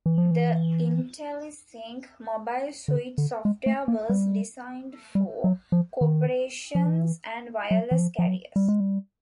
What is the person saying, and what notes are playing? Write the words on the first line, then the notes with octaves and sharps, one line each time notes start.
The Intellisync Mobile Suite software was designed for corporations and wireless carriers.
E3
F3
E3
D3
D3
G#3
A3
A#3
G3
G3
F#3
F3
D#3
F3
E3
F#3
E3
F3
F3
F#3
G3
G#3
G3